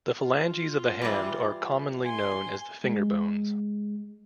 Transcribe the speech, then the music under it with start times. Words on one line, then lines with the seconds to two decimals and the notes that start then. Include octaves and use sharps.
The phalanges of the hand are commonly known as the finger bones.
0.19 F4
1.02 E3 G3
2.03 G#5 C6
2.84 G#3